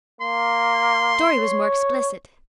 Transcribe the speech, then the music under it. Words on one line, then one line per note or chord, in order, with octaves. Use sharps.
Dorry was more explicit.
A#3 C6
C#5